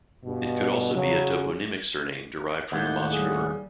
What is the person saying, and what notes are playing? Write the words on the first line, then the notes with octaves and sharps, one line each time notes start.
It could also be a toponymic surname derived from the Maas river.
G2 B2
C#3 F#3
D#2 A2 G#3 F#5 G6
G3 G#4